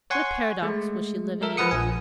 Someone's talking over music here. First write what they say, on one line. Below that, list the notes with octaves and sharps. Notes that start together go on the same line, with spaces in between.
What a paradox was she living in!
C#5 F#5 G#5 C6 C#6
G#3 A3
G#3 A4 A#4 E5
F3 B4 F#5 D#6 C#7
A#1 G#5